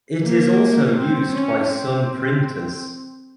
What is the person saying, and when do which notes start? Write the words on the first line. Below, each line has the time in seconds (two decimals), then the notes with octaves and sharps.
It is also used by some printers.
0.24 A#3
0.97 C4
1.35 C#4
1.71 C4